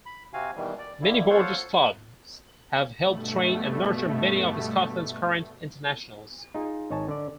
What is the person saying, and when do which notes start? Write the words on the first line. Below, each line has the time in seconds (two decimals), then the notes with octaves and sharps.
Many Borders clubs have helped train and nurture many of Scotland's current internationals.
0.06 B5
0.33 C3 C4 F#4 F5 G#5
0.56 B2 D#3 E3 G3
0.78 D5
1.01 G2 B2 D3 G3 A#3 E4
1.30 F4 A4 C5 C#5 F5 F#5
3.00 G2 B2 A3
6.54 D#4 F4 G#4
6.90 G#1 D#4 C#5 G#5 A5
7.08 D3 D5